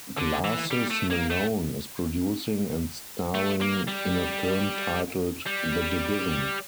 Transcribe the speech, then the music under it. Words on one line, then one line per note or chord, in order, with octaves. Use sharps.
Glasses Malone is producing and starring in a film titled "The Division".
D3
E3
G3
A3
A#3
A3
A3
A#3
G3
G3